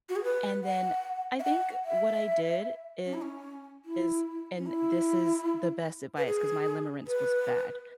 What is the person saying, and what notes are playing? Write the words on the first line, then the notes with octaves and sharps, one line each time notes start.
and then I think what I did is- and this is the best advice 'cause my limerence was bad,
F#4
G#4
B4
F#5
E5
F#5
E5
C#4
E4
C#4
E4
C#4
E4
B4
G#4
B4